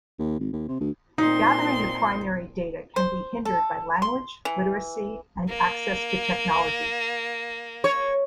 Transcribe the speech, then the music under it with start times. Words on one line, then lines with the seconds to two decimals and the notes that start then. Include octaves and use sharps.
Gathering the primary data can be hindered by language, literacy and access to technology.
0.19 D#2
0.40 G#1
0.53 D#2
0.68 C3
0.80 D2
1.18 A#2 C4 D#4 C6
2.96 C5
3.45 A4
4.02 C6
4.45 E3
5.48 A#3
7.84 C#5